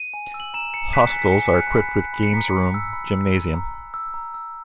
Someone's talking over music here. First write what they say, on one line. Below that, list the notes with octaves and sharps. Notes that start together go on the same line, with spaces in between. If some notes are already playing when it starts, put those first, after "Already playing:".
Hostels are equipped with game's room, gymnasium.
Already playing: D#7
G#5
E6
F#7
A#5 E7
A#5 C#7
F#6 B6
C#7
G#5
B6
G#5 C#7
B6
F#6 C#7
B5 B6
F#6
B5
C#7
A#5 B6
A#5
E6
B5
E6
B5
A#5
A#5
E6
A#5
E6